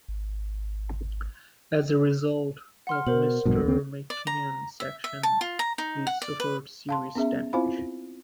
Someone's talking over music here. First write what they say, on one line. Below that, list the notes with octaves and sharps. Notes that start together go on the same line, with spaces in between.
As a result of Mr McKinnon's actions, we suffered serious damage.
G#1
F#5 C6 F6
B2 A#4 C5 F#7
A#1 G2 B2
D#2 C4
D5
A#5
E5
E5
A5
F4
A#5
D#4
F#5
D5
B4
F5 A5 C6
B3 C#4 G#4 E5
C4 E4 F4 C5 F5 B5